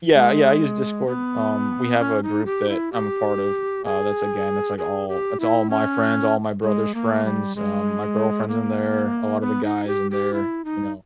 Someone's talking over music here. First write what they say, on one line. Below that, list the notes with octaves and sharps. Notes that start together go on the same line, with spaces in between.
Yeah, yeah, I use Discord. Um, we have a group that I'm a part of, uh, that's, again, it's, like, all it's all my friends, all my brother's friends, um, my girlfriend's in there, a lot of the guys in there, you know,
G#3
B3
C#4
D#4
G4
E4
G4
G#4
G#4
G4
E4
C#4
G#3
A#3
G3
G#3
A#3
B3
D#4
G4
G4
E4
D#4